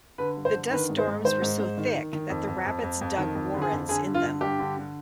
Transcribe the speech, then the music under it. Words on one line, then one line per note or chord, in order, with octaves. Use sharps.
The dust storms were so thick that the rabbits dug warrens in them.
D3 B4
G2
C5
D3
D#3 B4
G#2
C5
G#2
D#3 C5
G#2
G#2
D#3
D#3
D#3
F2
F2
F2
F2
F2
D#3
F2
D3
G#4
F2
D3 G#4
G2
F4
D3
G2 G4
D3
D3